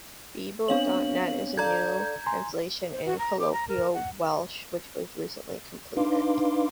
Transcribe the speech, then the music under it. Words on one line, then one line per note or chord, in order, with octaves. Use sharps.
Beibl dot net is a new translation in colloquial Welsh which was recently completed.
B3 C4 D4 C#5 F5 F#7
A4 D5 F5 A#5 G6 G#6
G#5 A#5 C6
C5
F#4
A#5
D6
A#5
A#4
F#5
D4 D#4 B4 F5 C6 D6